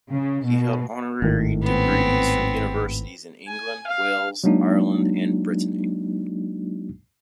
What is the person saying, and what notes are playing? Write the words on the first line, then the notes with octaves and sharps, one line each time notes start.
He held honorary degrees from universities in England, Wales, Ireland and Brittany.
C#3
B2
G#1 A2 D#3
B3 C4
G#5
F5
F#3 G#3 A#3 D4 D#4 F#4